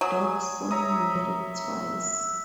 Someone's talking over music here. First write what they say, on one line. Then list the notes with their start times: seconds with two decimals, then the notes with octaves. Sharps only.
Dobson married twice.
0.01 F#3 G#5 D#6
0.71 C#5 E5 A#5 D#6